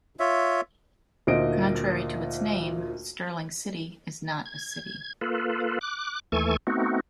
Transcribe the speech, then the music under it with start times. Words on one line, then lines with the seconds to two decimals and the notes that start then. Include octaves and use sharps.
Contrary to its name, Stirling City is not a city.
0.20 F4 C#5 E5
1.27 D2 A#2 D#4 C5 D#5 D7
4.46 G#6
5.21 A#3 F4 A4 B4
5.81 D6 F#6
6.32 D#2 E3 A3 A4 G#5 C#6
6.67 A3 B3 C4 D#4 F#4